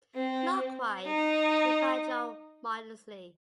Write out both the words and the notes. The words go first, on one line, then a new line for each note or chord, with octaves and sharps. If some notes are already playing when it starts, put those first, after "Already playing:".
"Not quite," replied Jo modestly.
C4
D#4